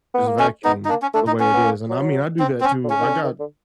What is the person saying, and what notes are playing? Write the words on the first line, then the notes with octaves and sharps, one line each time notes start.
just vacuum the way it is, and I mean, I do that too, I got
B3
A#3
A3 C#4
B3 D#4
D#4
A#3 D4
C#4
A3 D4
D#4
B3 C#4
B3
A#3
F#3
C4
C4
C#4
D3
C#3 C#4
D#3
D3
D#3
D3